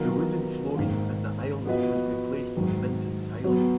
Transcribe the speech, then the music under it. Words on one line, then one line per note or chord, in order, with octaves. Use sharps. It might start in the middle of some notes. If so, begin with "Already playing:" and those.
The wooden flooring in the aisles was replaced with Minton tiling.
Already playing: D#3 F#3 B3 F4 A#4
G#2 D#3 A#3
F3 B3 F#4 B4 D#5
G#2 D#3 F#3
B2 F#3 B3 F#4 C#5